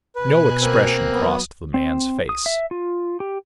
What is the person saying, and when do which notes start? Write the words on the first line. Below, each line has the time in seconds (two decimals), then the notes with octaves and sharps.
No expression crossed the man's face.
0.16 B2 B4 G#5 F#6
0.62 A#3 C4
1.13 F#3 B3 D#6
1.74 C4
2.29 D#6
2.46 E5
2.71 F4
3.20 G4